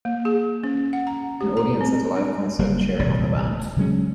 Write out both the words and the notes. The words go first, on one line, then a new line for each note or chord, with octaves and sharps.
An audience at a live concert cheering on the band.
A#3
G#4
C#4
F#5
A#5
G4
A#5
C4
D4
F#1 G3 A#3
E1 A#1 C3 G3
C#3 F#3 G#3 C#4